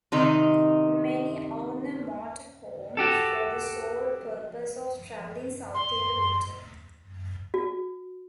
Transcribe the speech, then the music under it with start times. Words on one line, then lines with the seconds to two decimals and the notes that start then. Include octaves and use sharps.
Many own a motorhome for the sole purpose of traveling south in the winter.
0.12 C3 D#3 D#4
2.97 F#4 G4 A4
5.74 C6
7.54 F#4